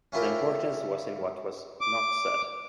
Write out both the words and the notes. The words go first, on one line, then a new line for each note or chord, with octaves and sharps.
The importance was in what was "not" said.
C#4 E4 F4 G4 A#4
D6